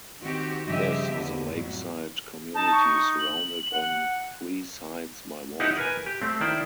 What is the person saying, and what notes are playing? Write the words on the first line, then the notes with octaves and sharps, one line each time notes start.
This is a lakeside community surrounded on three sides by water.
D#3 C4 F#4 G4
G2 C#3 F3 G4 D#5 E5
E2 D3
F2 A2 F#3
D#4 A5
C#6
F#7
F#5
D#4 E4 G4 C5 F#5
A#4 B4 G#5
G4
A3 C4
D#3 E4 C5 D5